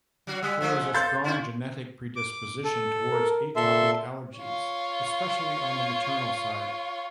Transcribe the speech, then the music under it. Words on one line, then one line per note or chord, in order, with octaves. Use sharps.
There is a strong genetic predisposition toward atopic allergies, especially on the maternal side.
F#3 F#4
G3 E6 F#6 B6
F3 G#3 A3 E6
A4 F5 C6 G6 A6
C#4 E4
D6
A4
A#4
A#2 A4 E5 C6
F4 C#5